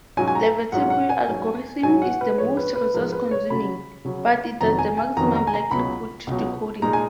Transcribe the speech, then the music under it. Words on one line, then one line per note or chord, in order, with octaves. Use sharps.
The Viterbi algorithm is the most resource-consuming, but it does the maximum likelihood decoding.
G#2 F#3 C#4 F4 G#5
G#5
A#5
G#2 F#3 C#4 F4 F#5
F#5
G#5
G#2 F#3 C#4
G#2 F#3 C#4 G#5
F#5
B4
G#2 F3 G#3 C#5
B4
B4
G#2 F3 G#3 A#4
B4
C#5
C#3 F#3 C#4 B5
C#3 F#3 C#4
F2 D#3 F#3 B3 A#5
G#5
G#5
F2 D#3 F#3 B3 A#5
A#5
G#5
A#5
C#2 B2 F#3 B5
C#2 B2 F#3
A#2 G#3 D#4 A#5
G#5